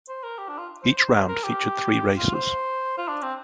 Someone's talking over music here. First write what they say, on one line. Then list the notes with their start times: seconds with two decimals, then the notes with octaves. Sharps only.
Each round featured three races.
0.08 C5
0.23 A#4
0.38 G4
0.49 D4
0.58 F4
0.83 C5
0.98 C5
1.28 A#4
1.44 G4
2.17 F4
2.33 C5
2.97 F4
3.08 D4
3.22 C4